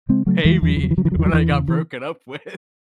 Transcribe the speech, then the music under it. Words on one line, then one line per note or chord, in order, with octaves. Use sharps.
pay me when I got broken up with.
C#3 G#3 C4
C#3 F#3 A3
E2 E3 G#3
E2 E3
F#3
E3
C#3 F#3
E3
C#3 F#3
E3
F#3
E2 E3
F#3
E2 E3
C#3
E3